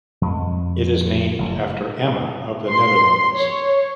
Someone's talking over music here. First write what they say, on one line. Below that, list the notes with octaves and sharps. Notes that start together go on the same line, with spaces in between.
It is named after Emma of the Netherlands.
F2 G#3
F#1
C6
C#5